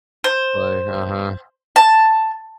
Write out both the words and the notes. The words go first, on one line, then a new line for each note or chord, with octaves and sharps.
Like, uh-huh.
C5
A5